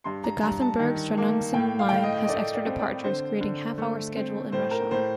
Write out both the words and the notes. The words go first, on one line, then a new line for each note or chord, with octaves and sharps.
The Gothenburg-Stenungsund line has extra departures creating half-hour schedule in rush hour.
G2 C6
A#5
G2 A#5
A5
D#3
A#3
A2 G5
F5
G5
A2 F5
D#5
D#5
A3 D5
D5
C4
D5
D3 C5
D3
A3
C4
A2 C5
A#4
A2 C5